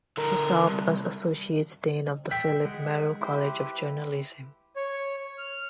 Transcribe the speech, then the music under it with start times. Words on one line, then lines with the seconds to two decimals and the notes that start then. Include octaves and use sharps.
She served as associate dean of the Philip Merrill College of Journalism.
0.18 D3 A#4
0.67 C2
2.31 E5 G5
2.65 G#3 F#5
3.21 E4 G4 B4 C5
4.76 C#5
5.38 F6